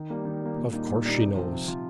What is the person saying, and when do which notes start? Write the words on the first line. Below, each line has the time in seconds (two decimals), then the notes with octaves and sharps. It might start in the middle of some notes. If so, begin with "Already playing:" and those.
'Of course she knows.
Already playing: D#3
0.10 G3 A#3
0.25 D#3
0.41 G3 A#3
0.57 A#2
0.73 G3 A#3 D#4
0.89 A#2
1.05 G3 A#3 D#4
1.20 C3
1.36 F3 C4 F4
1.52 C3
1.68 F3 C4 F4